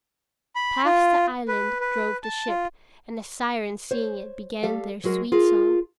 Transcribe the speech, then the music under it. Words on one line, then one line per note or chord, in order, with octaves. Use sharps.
Past the island drove the ship, and the Sirens seeing it began their sweet song.
B5
F4
B4
B4
A5
F4
C5 C#5
G3 A4 F5
F#3 G#3 F#4 A#4
F4 G#4 A#4